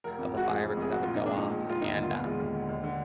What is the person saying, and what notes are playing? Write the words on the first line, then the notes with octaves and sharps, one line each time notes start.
of the fireworks that would go off, and, um
F1 A#4
F2
G#3 F#4
F3 G#4
F1
F2 G#4
A#1 F#4
A#2 F4
D#4
G#3 D4
F3 D#4
A#1
A#2 F4
D#2 D#4
D3
F4
B3
G#3 F4
D#2
D3
D#2
D3